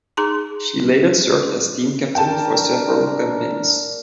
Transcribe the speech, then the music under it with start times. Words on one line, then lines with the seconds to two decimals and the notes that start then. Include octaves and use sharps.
She later served as team captain for several campaigns.
0.17 D#4 G#4 A#5 C6
2.15 D4 A#4 G5 A5